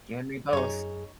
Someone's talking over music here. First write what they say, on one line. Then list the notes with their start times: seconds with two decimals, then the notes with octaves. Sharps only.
You and me both.
0.53 F#2 D#4 G#4 C#5